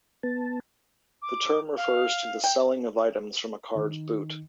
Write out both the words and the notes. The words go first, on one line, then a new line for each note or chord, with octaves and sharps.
The term refers to the selling of items from a car's boot.
B3 A5
D6
F5
G5
D#3